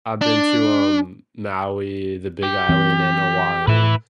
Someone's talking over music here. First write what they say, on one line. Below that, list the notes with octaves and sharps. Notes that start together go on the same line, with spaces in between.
I've been to, um, Maui, the Big Island, and Oahu,
D4
G4
E3 C4
A2 E4 B4